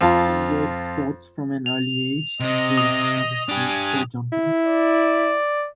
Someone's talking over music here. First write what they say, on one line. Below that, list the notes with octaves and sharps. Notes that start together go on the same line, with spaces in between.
She enjoyed sports from an early age, including professional showjumping.
F2 F4 A5
F7
C3 C4 D#5
D#6
D4 G4 G#5 A6
E4
D5